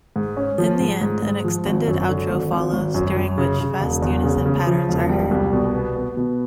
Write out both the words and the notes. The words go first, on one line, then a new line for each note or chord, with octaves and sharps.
In the end, an extended outro follows, during which fast unison patterns are heard.
G#2
C#4
F3
G#2
G#2
G#2
F3
G#1
F#2
D3
G#1
G#1
G#1
F#2
F#2
C#3
C#3
E1
E2
C#3
C#3
F3
E1
G3
C2
B2
B3
B3
B2